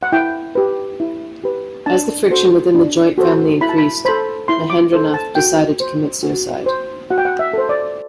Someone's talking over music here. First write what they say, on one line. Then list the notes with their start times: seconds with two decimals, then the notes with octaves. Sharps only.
As the friction within the joint family increased, Mahendranath decided to commit suicide.
0.03 F#5
0.12 E4 G5
0.55 G4 B4
1.00 E4
1.44 G4 B4
1.86 D4 A5
2.30 F#4 A4 C5
2.75 D4
3.18 F#4 A4 C5
3.61 E4 B5
3.69 A5
3.78 B5
4.05 A4 C5 B5
4.48 E4 C6
4.70 D6
4.93 A4 C5
5.14 A5
5.35 F#4 G5
5.80 C5
6.23 F#4
6.66 C5
7.10 F#4 F#5
7.18 G5
7.25 F#5
7.39 E5
7.53 A4 C5
7.69 D5